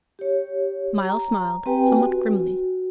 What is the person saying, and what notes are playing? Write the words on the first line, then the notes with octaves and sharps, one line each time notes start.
Myles smiled somewhat grimly.
G4 C#5
A#5
C4 G4 B4 G5 G#5
F#4